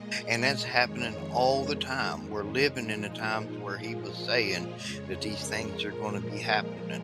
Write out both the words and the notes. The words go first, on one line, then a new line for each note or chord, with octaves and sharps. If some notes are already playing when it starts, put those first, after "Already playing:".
and that's happening all the time. We're living in the times where He was saying that these things are gonna be happening,
Already playing: A#2 G#3 D#5
D#5
F2 D#3 G#3 C#5
F2 D#3 G#3
C#4
A#2 F3 G#3 D#4
A#2 F3 G#3 F4
G#4
F2 C#3 G#3 C#5
A#4
A#2 F3 G#3 A#4
A#4